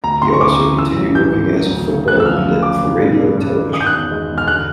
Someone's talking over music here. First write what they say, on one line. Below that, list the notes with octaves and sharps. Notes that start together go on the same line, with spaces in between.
He also continued working as a football pundit for radio and television.
D2 A#5
C#3 C6
C#6
D2 D6
C#3
E3 E6
A1
E3 G6
A1
F#3
D2
C#3
D2 F#6
E6
F3 F6
F#1
F3 D6
C#3
G3
G2
G2
D#3
D#3 D#6
G6
F#6
E1
G#3
E1
F6
D3 F#6